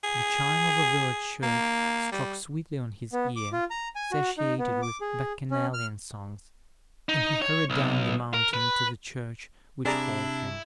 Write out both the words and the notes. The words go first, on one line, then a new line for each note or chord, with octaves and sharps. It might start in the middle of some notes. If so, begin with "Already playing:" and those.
The chime of a village church struck sweetly on his ear, satiated with Bacchanalian songs; and he hurried down the mountain to the church which called him.
G#4
A#3
G3
B3
D6
F4
A#5
G#5
F#4
D#4
B3
D6
G#4
C#4
F6
D#4
C#5
B1
A#4
B4
C3 D4 E4 G#4 D5 A#5